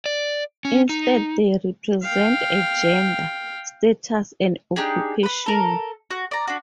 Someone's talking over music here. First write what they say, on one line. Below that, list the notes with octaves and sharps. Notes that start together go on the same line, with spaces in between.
Instead, they represent a gender, status, and occupation.
D5
C#4
D#4
F5 G5
D4 D#4 G4 G#4
B4 B5
A4 A#4
F#4
D5 A#5
D4 F#4